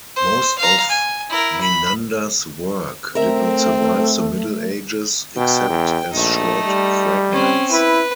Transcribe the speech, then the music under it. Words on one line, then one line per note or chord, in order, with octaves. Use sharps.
Most of Menander's work did not survive the Middle Ages, except as short fragments.
C5
F5 A#5
G#5
E4 A#4
B5
A3 C4 A#4 E5
B2 G5
E2
A#1 A3 D#4
G3
C4 C#4
E4 B4